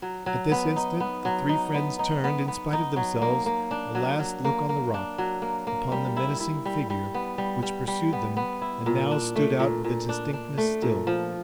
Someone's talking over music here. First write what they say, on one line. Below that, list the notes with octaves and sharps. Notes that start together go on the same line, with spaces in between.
At this instant the three friends turned, in spite of themselves, a last look on the rock, upon the menacing figure which pursued them and now stood out with a distinctness still.
F#3
F#3
B3
D#4
B3
F#3
D#4
B3
D#4
B3
B3
D#4
F#3
A#3
A#3
D4
F#3
F#3
A#3
A#3
D4
F#3
A#3
A#3
G3
E4
E4
G3
G3
B3
G3
G3
G3
B3
B3
E4
A#2
D4
A3
A#2
A#2
D4
D4
A3
A#2
F3